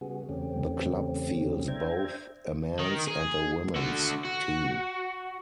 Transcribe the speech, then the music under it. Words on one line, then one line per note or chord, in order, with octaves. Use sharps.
The club fields both a men's and women's team.
C#3 G3 B3 F#4 G#4
E2 C#3 A3 C4 C#4 G4
D4 C5 E5 G5 A#5 G#6
D#3
G#4
D3 F#4
F#4